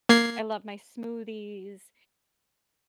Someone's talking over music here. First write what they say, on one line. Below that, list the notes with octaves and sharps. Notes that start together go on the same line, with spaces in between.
I love my smoothies.
A#3 G#6 C7